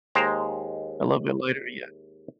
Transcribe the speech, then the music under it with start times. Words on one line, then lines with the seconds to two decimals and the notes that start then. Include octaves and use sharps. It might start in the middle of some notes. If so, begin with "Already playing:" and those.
a little bit later. Yeah.
0.15 D#2 G#3 C5 G5 A#5